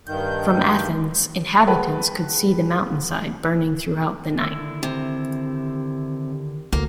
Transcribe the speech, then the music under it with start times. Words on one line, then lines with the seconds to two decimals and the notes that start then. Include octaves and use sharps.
From Athens, inhabitants could see the mountainside burning throughout the night.
0.07 G2 D#3 G6
1.66 G#4 B4 F#5 G5 A5
4.41 D3 D#3 E4 E6
4.83 C3
6.73 D2 A#3